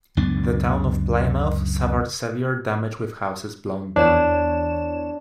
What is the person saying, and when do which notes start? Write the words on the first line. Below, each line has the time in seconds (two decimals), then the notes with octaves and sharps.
The town of Plymouth suffered severe damage with houses blown down.
0.17 C#2 F#2 B3 D4
3.96 E2 D4 C#5 E7